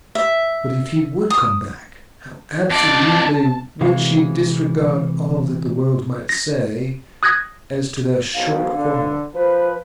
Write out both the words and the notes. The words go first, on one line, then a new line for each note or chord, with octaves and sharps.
But if he would come back, how absolutely would she disregard all that the world might say as to their short quarrel.
E5
D#6
F2 D5 A5
C3 E3 G#3 F#4 F5
A#6
D#6 F#6 G#6 A#6
B1 G#2 F5
D3
F3 B4 C5